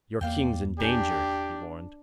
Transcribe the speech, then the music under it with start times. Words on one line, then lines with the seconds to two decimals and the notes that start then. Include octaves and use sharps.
"Your king's in danger," he warned.
0.21 E2 A#3 D5 F5 G5
0.80 D4 G4 A#4 G5 G#5